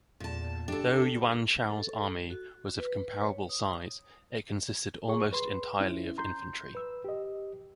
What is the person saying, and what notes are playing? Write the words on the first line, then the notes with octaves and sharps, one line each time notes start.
Though Yuan Shao's army was of comparable size, it consisted almost entirely of infantry.
E2 A#2 A5
D4 G4 A4
A4
F#4
B4
C#5
D#6
G#4 C#5 C#6
B4 C6
C#4 E4
A#5 C6 G6
B4 E6
G4 D#5